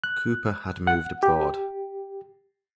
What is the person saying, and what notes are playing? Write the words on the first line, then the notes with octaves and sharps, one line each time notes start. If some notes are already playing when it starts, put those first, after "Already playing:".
Couper had moved abroad.
F#6
F#5
G4